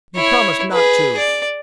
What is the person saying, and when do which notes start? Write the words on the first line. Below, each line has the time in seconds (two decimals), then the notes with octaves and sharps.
"You promised not to!"
0.15 E4 C#5
0.71 G#4 B4
1.17 D5